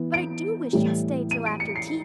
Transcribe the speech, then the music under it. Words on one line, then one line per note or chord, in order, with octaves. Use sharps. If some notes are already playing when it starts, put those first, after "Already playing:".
But I do wish you'd stay till after tea.
Already playing: E3 B3
D7
A2 E3 G3
D#7
D7
C#7
C7